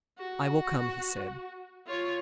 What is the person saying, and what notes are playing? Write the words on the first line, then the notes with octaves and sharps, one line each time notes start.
"I will come," he said.
F#4
F4 C#5